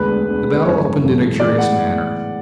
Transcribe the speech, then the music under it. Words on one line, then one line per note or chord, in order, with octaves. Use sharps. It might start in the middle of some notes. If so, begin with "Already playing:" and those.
The battle opened in a curious manner.
Already playing: E1 D2 D3 G#3 B4
E1 D2 D3 G#3
B4
G#1 F#2 C#3 E3 A3 C#5
G#1 F#2 C#3 E3 A3
A1 A2 E3 G#3 B3 D5
F#5